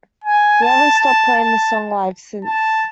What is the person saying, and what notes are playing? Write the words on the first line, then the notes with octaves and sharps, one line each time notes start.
We haven't stopped playing the song live since.
G#5
A5
A5
A5
A5